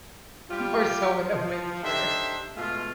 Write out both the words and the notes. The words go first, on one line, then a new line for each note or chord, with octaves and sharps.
more so in the winter.
G3 F4 G4
F3
D4 D#4 G4 A4 C5 E5
B2 G#3 A3 F4